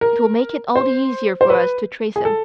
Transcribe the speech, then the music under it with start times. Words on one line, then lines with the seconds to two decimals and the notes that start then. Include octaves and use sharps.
It will make it all the easier for us to trace him.
0.01 A#4
0.76 C5
1.41 C5
1.50 B4
2.16 G#4
2.25 A4